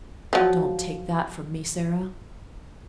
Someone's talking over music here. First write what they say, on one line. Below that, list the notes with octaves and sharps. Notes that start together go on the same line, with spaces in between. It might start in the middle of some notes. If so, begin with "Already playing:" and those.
Don't take that from me, Sara.
F3 F#3